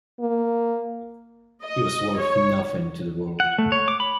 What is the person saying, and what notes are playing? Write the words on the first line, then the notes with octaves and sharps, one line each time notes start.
He was worth nothing to the world.
A#3
D#5
C#5
F#5
A3
C#5
D6
B5